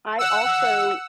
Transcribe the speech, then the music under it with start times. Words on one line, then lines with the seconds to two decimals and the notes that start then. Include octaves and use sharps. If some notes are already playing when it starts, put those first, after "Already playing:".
I also
0.19 F#5 E6